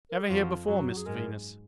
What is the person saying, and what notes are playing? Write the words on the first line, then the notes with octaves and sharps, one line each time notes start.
Ever here before, Mr Venus?'
A#4
G#4
F2 F3 F#4
F#2 F#3
F#4
G#4
G#2 G#3 A#4